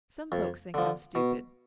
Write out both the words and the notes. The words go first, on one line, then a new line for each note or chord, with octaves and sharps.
Some folks think I'm stupid.
F2
D3 F3
B2